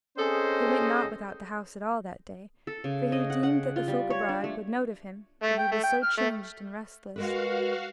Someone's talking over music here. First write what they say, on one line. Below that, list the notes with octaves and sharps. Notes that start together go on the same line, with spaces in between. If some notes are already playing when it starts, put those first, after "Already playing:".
He went not without the house at all that day, for he deemed that the folk abroad would note of him that he was so changed and restless.
C4 C#4 G#4 A4 C5 D#5
A4
C#3
D#5
F#5
F#5
F4
G3
C#5
D4
A3
A3
G5
A3
G5
F6
A3
G#3 F#4 A#4 B4 F5